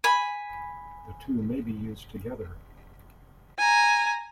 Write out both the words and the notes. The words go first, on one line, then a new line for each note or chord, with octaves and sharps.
The two may be used together.
G#5 B5
G#5 A#5